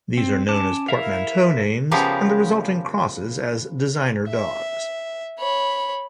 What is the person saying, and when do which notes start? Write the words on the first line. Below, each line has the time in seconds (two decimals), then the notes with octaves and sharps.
These are known as portmanteau names and the resulting crosses as designer dogs.
0.17 C4
0.48 C#4 A5 D6
0.88 E4 A#4 E5 F5
1.91 C#3 F3 B3 G4 A#4
4.28 E5
5.39 C#5 B5